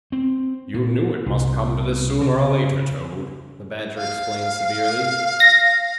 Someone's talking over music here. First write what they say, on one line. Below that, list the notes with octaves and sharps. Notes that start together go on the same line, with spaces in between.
'You knew it must come to this, sooner or later, Toad,' the Badger explained severely.
C4
A#2
C2
C#3
F5
A#6